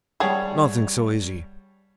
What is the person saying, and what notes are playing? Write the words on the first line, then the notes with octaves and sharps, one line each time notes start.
Nothing so easy!
G3 G#4 C#5 F#5 G5 A5